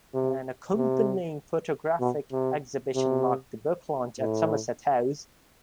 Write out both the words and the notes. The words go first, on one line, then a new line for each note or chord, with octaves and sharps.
An accompanying photographic exhibition marked the book launch at Somerset House.
C3
C3
B2
C3
C3
A2